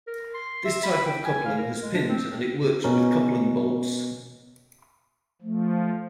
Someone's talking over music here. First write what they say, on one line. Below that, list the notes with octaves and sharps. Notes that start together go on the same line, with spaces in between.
This type of coupling has pins and it works with coupling bolts.
A#4
C6
E5
B5
G5
G#5
F5
A#4
G#3
D4
C4
B2 C#4 A#4
F3 A3